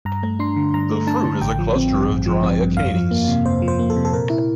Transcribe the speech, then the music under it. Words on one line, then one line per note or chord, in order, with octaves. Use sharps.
The fruit is a cluster of dry achenes.
G2 A#5
A3
D4 C6
D3
G2 A#5
A3
D4 A5
D3
A1 G5
F3
C4
G2
A1
F3
C4
G2
F2 F5
F3
A#3
C3
F2 C5
F3
C5
A#3
A4
C3
A4
A#2 A#4
E4